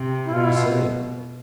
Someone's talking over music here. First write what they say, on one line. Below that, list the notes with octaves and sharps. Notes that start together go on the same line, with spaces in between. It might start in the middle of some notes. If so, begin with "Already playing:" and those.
"The same."
Already playing: C3
E4
B2 F4
E4
F4